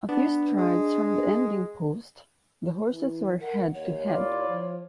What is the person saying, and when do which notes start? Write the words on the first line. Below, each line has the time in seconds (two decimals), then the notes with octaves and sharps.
A few strides from the ending post, the horses were head to head.
0.09 B3 D4
0.58 G#3
2.91 E3
3.41 A#4 F#5
3.74 D#2 C#5
4.07 E4 F4 D5
4.48 F3